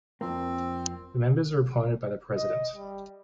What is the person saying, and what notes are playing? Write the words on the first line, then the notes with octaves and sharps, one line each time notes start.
The members are appointed by the president.
F2 F3 A#3 C4
D#5
G3